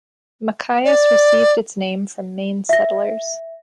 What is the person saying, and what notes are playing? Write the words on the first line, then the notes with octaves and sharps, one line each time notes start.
Machias received its name from Maine settlers.
D5
E5 A#6